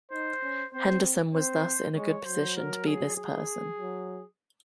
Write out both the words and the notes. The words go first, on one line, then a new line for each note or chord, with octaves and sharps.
Henderson was thus in a good position to be this person.
D#4 C5
C#4
C4 C5
C4 C5
G#3 C#5
F#3 C5
A#4
G#4
G#4
F#3